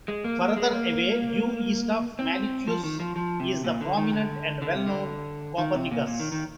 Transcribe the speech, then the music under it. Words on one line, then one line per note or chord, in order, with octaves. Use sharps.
Further away due east of Milichius is the prominent and well-known Copernicus.
G#3
A#3
A#3
G#3
A#3
C4
F3
D#3
F3
F3
C3
A#2
D3
D#3
D3
D3
C3
D3
D#3
C3
A#2
A#2
D#3
D#3